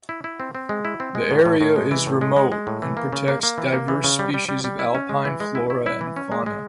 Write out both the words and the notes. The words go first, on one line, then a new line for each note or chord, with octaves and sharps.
The area is remote and protects diverse species of alpine flora and fauna.
E4
E4
C4
C4
G#3
E4
C4
G#3
A2
A2
A2
G#3
E3
A2
G#3
G#3
G#3
A2
E3
A#3
C#3
A#3
A#3
E3
A#3
E3
C#3
G3
G3
G3
G3
E4
C#4
G#3
E3
G#3
E4
E4
E4
E3
C#4
G#3
G#3